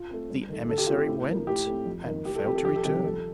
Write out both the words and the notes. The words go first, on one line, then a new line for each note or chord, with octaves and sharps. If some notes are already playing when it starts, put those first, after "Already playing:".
The emissary went, and failed to return.
Already playing: F4
A3 C4
G2
D#3 A3
D3 A4
G4
A3 C4 F4
G4
A2
F3 A#3
A2 G4
A3 C4
F2
D#3 A#3
A2 G4
A4
F3 C4 G4
A4
F2 G4
A4
C3 D#3 G3 G4
F2 A4